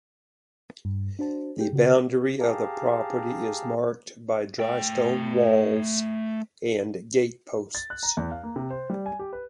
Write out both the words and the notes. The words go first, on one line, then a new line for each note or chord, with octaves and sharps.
The boundary of the property is marked by drystone walls and gateposts.
G2
D4 F#4 C5 A5
A3 G4 G#4 G5
C#3 F#4
G4 G#4 F5 A5 A#5
A3 G5
A6
F#6
A#5
E2
F5
A#3
C3
C5
G3
G#5
G4
B4